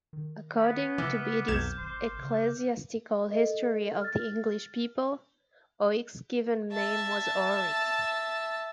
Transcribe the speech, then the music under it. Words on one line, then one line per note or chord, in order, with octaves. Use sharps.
According to Bede's "Ecclesiastical History of the English People", Oisc's given name was Orric.
D#3
B3
C#3 E3 D6 F6
B1 F2 G6 G#6 E7
G#1 C5
C#3
A4 D#5
F6 A6
E5 A5